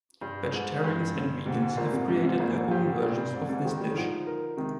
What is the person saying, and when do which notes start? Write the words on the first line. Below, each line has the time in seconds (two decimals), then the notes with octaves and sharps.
Vegetarians and vegans have created their own versions of this dish.
0.21 G2 D4
0.52 G#2 G#4
0.83 G2 G#3
1.15 D3
1.46 G#2 G4
1.62 G#2
1.77 G2 A#2 A#4
1.92 G#2 C3
2.08 G#2 C3 D4
2.24 G#2 C3
2.39 G2 A#2 A#3
2.54 G#2
2.71 G2 G4
2.86 G#2
3.02 G2 A#2 D5
3.17 G2
3.33 G#2 C4
3.49 G#2 C3
3.64 D#3 G3 G#3
3.80 D#3 G3
3.95 D3 F3 D#4
4.27 A#4
4.57 C3 D#3 G#3